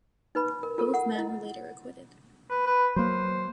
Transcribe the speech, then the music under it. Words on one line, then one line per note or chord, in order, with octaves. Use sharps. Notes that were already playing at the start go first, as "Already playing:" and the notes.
Both men were later acquitted.
D#4 B4 B5
A#4
F4 A4 A#4
F#5
E4 D#5
B4
B4
F#3 A#3 C5